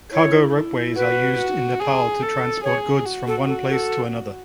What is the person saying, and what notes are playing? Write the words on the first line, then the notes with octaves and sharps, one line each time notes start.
Cargo ropeways are used in Nepal to transport goods from one place to another.
E4 C#5
E4
F#4 B4
F#4
G#4
A4
G#4 C#5
F#4
A4
A4
A4